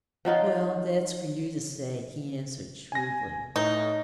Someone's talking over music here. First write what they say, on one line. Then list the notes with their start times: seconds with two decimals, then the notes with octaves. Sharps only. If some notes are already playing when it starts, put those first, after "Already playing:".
"Well, that's for you to say," he answered shrewdly.
0.25 F3 F#3 D#4 F4
2.92 G#5 A#6
3.56 A2 D#4